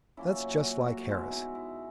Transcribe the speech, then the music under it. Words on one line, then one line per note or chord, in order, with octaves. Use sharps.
That's just like Harris.
A#2 F#3 A#3 C#4 E4
F#4
F#4
B2 G#3 D#4 E4
E4
E4